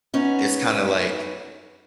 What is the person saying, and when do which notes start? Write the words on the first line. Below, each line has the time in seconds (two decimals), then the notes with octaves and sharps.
it's kinda, like
0.14 B3 C#4 D#4